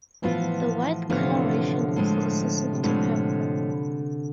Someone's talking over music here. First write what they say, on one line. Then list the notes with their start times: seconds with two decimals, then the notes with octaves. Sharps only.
The white coloration is recessive to purple.
0.22 A2 E3 F3 B3 F4
1.09 A2 D3 F3 B3 F4
1.19 C3
1.28 D3
1.96 A2 F3 G#3
2.73 C3
2.83 A2 D3 F3 G#3